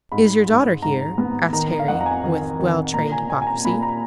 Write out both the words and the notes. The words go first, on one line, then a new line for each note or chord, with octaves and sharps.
"Is your daughter here?" asked Harry, with well-trained hypocrisy.
G#2 B5
G#2
G#2 A#5
B3
D#3 A#5
F5
F2 F#5
A#5
G#5
D#3
D#3
A#2 A#5
G#5
A#2 G#5
G#5
A#5
A#2 B5
A#5